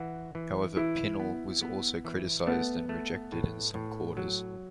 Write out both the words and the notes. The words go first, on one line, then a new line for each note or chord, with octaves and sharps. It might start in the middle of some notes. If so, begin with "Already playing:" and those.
However, Pinel was also criticised and rejected in some quarters.
Already playing: E3 F#4
E3
E3 E4
B3
B3
E3
A3 B3
A3
A2
A2
F#3